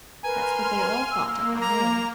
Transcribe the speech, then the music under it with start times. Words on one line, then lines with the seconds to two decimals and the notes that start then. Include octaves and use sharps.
That's what they all thought at the Home.
0.23 A#4 B4 G#5 A#5 C6 F6
1.11 A#3 E6
1.61 A#5 D6